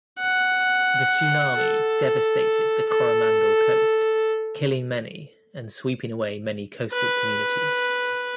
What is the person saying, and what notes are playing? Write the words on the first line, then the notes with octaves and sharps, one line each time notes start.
The tsunami devastated the Coromandel Coast, killing many and sweeping away many coastal communities.
F#5
A4
A4
B4